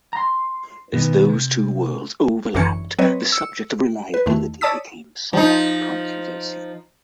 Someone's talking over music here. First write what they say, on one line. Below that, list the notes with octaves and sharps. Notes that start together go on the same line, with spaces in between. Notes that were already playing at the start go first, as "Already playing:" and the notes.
As those two worlds overlapped, the subject of reliability became somewhat controversial.
A#5 C6
B2 D#3 B3
C3
G#1 F#2 D3 E3 C#4 C#7
F#3 C4 B4 C#5 D#5
E6 C#7
B4
E2 D#3 A3
C#5 D5 A5 D#6 E6 B6
F3 D#4